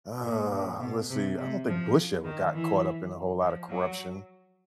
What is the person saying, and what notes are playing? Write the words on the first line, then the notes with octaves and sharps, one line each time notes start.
Uh, let's see, I don't think Bush ever got caught up in a whole lotta corruption.
A#2
A#2
B2
C3
C3
F3
D#3
E3
F3
F#3